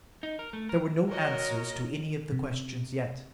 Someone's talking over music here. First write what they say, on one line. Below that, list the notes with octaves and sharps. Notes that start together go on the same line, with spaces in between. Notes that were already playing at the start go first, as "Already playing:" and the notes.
There were no answers to any of the questions yet.
D#4
A#4
A3
A#4
F#4 A#4 C#5 D#5
C3